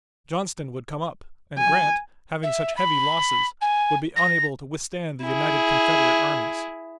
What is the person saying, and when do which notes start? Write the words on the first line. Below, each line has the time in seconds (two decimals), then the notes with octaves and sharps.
Johnston would come up, and Grant, having such heavy losses, would be unable to withstand the united Confederate armies.
1.58 G#5
2.43 E5
2.76 B5
3.61 G#5
4.16 A#6
5.22 E4 G#4